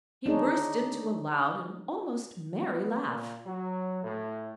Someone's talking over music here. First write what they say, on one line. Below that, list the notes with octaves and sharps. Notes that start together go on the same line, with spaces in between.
He burst into a loud and almost merry laugh.
D4 D#4 G#4 C#5
B3
A#2
F#3
A2